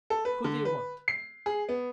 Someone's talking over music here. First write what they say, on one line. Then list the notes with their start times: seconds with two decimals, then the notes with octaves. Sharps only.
"Who do you want?"
0.10 A4
0.25 B4
0.44 D3
0.65 B4
1.08 C7
1.46 G#4
1.69 B3